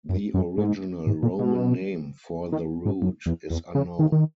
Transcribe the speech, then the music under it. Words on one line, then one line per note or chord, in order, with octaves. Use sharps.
The original Roman name for the route is unknown.
F#2
F#2
G#2
G#2
A#2
B2
D#3
G#2
F#2
E2
E2
C#3
D#3
D#3